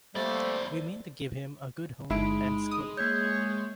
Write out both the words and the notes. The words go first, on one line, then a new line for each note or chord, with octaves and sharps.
We mean to give him a good home and schooling.
F2 G3 A3 A#3 C5 D5
G1 G#3 D#4 E4 B5 D7
D#6
A#3 G#4 C#5 G6